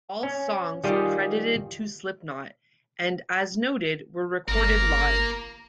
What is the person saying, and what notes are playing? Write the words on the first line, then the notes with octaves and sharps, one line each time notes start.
All songs credited to Slipknot and, as noted, were recorded live.
C#4
D#3 G3 F4 G4 G#4 D#5
G1 A#4 F5 A#5